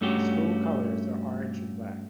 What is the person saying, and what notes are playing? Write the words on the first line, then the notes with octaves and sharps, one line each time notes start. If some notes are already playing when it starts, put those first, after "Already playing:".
The school colors are orange and black.
G2 A3 C#4 F#4 G4